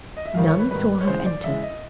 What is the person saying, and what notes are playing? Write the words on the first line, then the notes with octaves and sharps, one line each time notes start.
None saw her enter.
D#5
E5
G#2 D#3 G3 F5
C#5
B4
G#2 D#3 G3 B4
C#5
C#3 E3 G#3 C5
D5
C#3 E3 G#3 E5
D#5